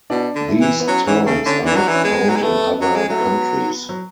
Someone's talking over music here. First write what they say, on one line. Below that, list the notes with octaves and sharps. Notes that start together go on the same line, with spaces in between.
These terms are not found in other countries.
B2 D4
D3
E4
E3
B3
F#3 C#4
E3 C#4
C#3 A3
D3 C#4
E3 D4
F#3
E3
C#4
G#3 B3
F#3
G#3
A3 B3
F#3 C#4
G#3
F#3 A3
B3
F#3